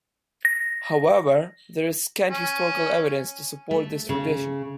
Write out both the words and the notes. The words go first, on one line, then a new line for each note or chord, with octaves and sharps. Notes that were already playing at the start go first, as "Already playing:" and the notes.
However, there is scant historical evidence to support this tradition.
A#6
C#4
A3
C#3